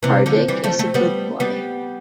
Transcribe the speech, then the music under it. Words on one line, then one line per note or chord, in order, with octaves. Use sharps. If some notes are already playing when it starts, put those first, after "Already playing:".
Hardik is a good boy.
C3 E3
D3 F3
E3 G3
F3 A3
A3 C4
G3 B3
G3 B3